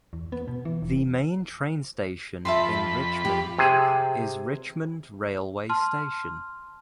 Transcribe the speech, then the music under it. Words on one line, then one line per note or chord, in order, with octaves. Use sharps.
The main train station in Richmond is Richmond railway station.
E2
B3
B2
E3
E1
F2 E5 A5 B5 C6
G4
C3 G#4
A5 C6 F6